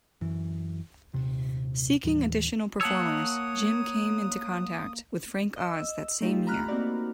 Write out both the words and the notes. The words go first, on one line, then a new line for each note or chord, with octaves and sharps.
Seeking additional performers, Jim came into contact with Frank Oz that same year.
F#2 E3
D#1 C3
D#2 A2 E3 G3
A#3 C#5 F#5 A5 D#6 E6
D#5 E6
A3 D#4 F4 G4
A#5 B5 F6 F#6
A#3 C4 D#4 F#4 D5